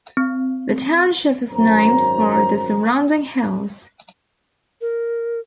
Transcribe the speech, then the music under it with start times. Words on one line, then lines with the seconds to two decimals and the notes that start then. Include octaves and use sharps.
The township was named for the surrounding hills.
0.17 C4
1.51 G#1 F#2 C5 A#5
4.81 A#4